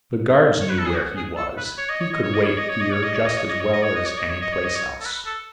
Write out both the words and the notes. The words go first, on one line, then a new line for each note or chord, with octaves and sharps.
The guards knew where he was--he could wait here just as well as any place else.
C#5
B4
A4
G#4
F#4
G#4
A4
B4
C#5
D#5
C#5
D#5
C#5
D#5
C#5
D#5
C#5
D#5
C#5
D#5
C#5
D#5
C#5
D#5
C#5
D#5
C#5
D#5
C#5
D#5
C#5
D#5
C#5
D#5
C#5
A4
B4
A4